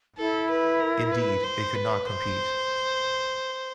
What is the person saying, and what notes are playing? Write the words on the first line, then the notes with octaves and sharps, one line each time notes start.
Indeed, it could not compete.
E4 A4
B4
A#4
B4
C5
B4
C5